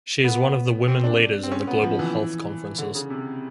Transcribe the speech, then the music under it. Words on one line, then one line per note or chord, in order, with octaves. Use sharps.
She is one of the Women Leaders in the Global Health Conferences.
B3
C4
D4
C4
C#4
B3
F3
E3
D3
C#3
C3